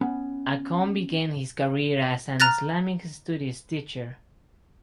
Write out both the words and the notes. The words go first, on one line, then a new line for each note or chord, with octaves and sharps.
Akon began his career as an Islamic studies teacher.
B3 C#4 B5
A#5 F6 F#6 A6 A#6